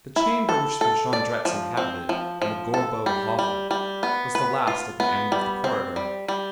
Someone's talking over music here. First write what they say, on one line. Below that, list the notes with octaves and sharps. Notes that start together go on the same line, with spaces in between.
The chamber which the Jondrettes inhabited in the Gorbeau hovel was the last at the end of the corridor.
E4
A4
A4
D5
F3
C4
F3
F3
A4
G3
G3
G3
B3
B4
F4
B3
G3
C4
G3
G3